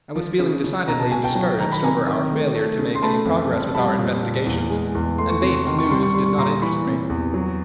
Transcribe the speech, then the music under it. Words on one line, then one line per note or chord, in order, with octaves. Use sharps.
I was feeling decidedly discouraged over our failure to make any progress with our investigations, and Bates’ news did not interest me.
F3
C#3
C#3
B2 A#5
A5
B2 G#5
G5 A5
F#3
D#3 A#5
B5
C3 G#5 A#5
D#3
A3
A3
C#3
C6
A3 A5 B5
F2
F2
G3 A5 B5
A#2
A#2
E2
G#3
E2
A3 C6
C#6
C3 C6
C#6
D#3 C6
C#6
G3 C6
C#6
G3 C6
C#6
A#2 A#5 C6
E3 B5 C#6
C3
E2
F#3